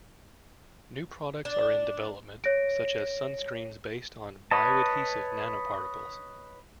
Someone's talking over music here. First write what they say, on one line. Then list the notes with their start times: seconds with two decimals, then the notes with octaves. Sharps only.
New products are in development such as sunscreens based on bioadhesive nanoparticles.
1.45 D4
2.44 C#5 A#6 D7
4.51 B4 C#5 D#5 A5